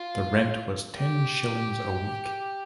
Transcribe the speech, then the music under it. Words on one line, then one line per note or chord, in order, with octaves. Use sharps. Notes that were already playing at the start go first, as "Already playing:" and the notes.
The rent was ten shillings a week.
Already playing: F4
G4